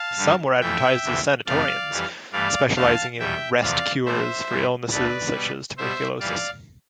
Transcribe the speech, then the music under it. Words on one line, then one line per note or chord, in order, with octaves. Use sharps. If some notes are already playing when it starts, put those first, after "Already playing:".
Some were advertised as sanatoriums, specializing in rest cures for illnesses such as tuberculosis.
Already playing: F5 A5
G2 D3 G3
F2 E3 A3 E5 G5
D2 C3 E3
F2 C3 F3 A3 D5 F5
F2 E3 G3
G2 E3 A3 D5 F5
E2 D3 A3 F5 A5
E2 B2 G3 E5 G5
E2 C3 F3 D5 F5
A2 E3 A3 C5 E5
G2 E3 G3
D2 D3 A3 B4 D5
B2 G3
B2 G3 C5 E5
F2 E3 G3 D5 F5